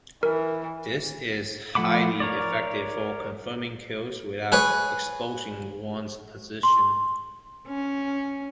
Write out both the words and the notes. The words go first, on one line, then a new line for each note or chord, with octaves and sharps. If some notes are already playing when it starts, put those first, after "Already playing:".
This is highly effective for confirming kills without exposing one's position.
E3 A#4
F3 A3 F#5 B5 D6
A#4 C#5 D5
G#4 B4 C#5
C6
C#4